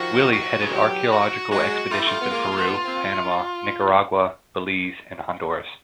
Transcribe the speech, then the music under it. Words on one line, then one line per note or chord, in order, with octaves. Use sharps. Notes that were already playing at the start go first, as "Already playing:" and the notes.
Willey headed archaeological expeditions in Peru, Panama, Nicaragua, Belize and Honduras.
Already playing: D#3 F3 F#4
F#4
G#4
E3 F#3 G4
F#4
F#3 G#3 F#4
G3 A3 F4
E4
F4
B3
G#3 A#3
A#3
A3 B3
A#3 C4